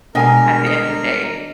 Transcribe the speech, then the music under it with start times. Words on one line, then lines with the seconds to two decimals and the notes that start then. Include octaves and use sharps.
at the end of the day.
0.15 B2 G3 G#3 D4 A#4 D#5 G#5 A#5
0.66 D#5